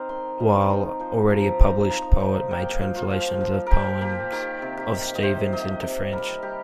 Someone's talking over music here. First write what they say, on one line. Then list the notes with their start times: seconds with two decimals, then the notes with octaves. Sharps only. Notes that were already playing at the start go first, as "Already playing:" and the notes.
Wahl, already a published poet, made translations of poems of Stevens into French.
Already playing: C4 D#4 A#4 C5 D#5
0.09 D#3 C6
0.40 D#3 A#5
0.70 D#4 A#5
0.99 F3 C5
1.30 F3 A#5
1.60 D#4 A#5
1.90 F3 A#5
2.20 D#4
2.51 A#3 G5
2.81 F4
2.95 F4
3.10 F3
3.41 F3
3.66 F3 G4 A#4
4.01 A#3 G4
4.32 D#3 G4
4.62 C3
4.78 G4
4.92 D#3
5.15 D#5
5.23 C3 C5
5.53 C3 D#5
5.82 C3 D#5
6.13 G3 A#4
6.42 G3 G4